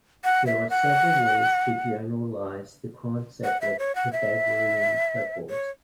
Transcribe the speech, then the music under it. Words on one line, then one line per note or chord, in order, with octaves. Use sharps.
There are several ways to generalize the concept of Pythagorean triples.
F#5
E5
F#5
F#5
E5
C#5
F#5
E5
C#5